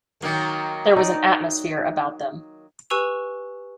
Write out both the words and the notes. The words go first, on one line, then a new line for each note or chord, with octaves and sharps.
There was an atmosphere about them.
D#3 F#3 A#3
D#4 D5
G4 B4 G#5 C#6 E6 F7